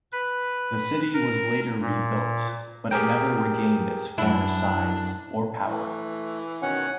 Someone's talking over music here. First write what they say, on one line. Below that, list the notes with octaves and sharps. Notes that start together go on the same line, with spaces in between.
The city was later rebuilt, but it never regained its former size or power.
B4
A#4
A#2
G4 G#4 A#4 G5
F#2 D4 E4
E3 A3
B2 D#3 C#4 C#5 F#5